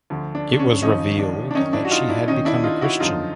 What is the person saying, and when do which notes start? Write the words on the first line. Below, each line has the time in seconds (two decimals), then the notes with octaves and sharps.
It was revealed that she had become a Christian.
0.10 D2 D3 F3
0.35 D4
0.53 D4
0.59 C#4
0.82 D#2 C#3 F3 C#4 D#4
1.19 D4
1.51 D4
1.55 F#2 D#3 C#4 D#4
1.73 D4 E4
1.85 F#4
1.91 D#4 F4
2.09 D4 E4
2.28 D#2 D#3 C#4 D#4
2.45 D4 E4
2.64 D#4 F4
2.81 E4 F#4
3.00 F#2 D3 F3 D#4 F4